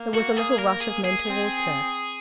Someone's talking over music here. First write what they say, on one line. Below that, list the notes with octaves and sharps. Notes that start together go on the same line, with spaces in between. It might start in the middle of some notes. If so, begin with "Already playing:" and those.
There was a little rush of men towards her.
Already playing: A#3
F#4
G#4
A#4
G#4
G#4
C4